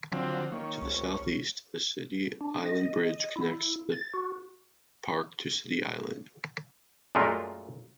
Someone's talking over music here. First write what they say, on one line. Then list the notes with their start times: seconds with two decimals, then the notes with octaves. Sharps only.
To the southeast, the City Island Bridge connects the park to City Island.
0.12 D3 F3 F#3 C4 F#4
0.52 D#3 A#3 C#4
0.82 F1 C#2
2.41 D4
2.66 D#5
3.36 E4
3.92 A6
4.14 F#4
7.15 F#2 A#2 G#3 A3 F4 A#4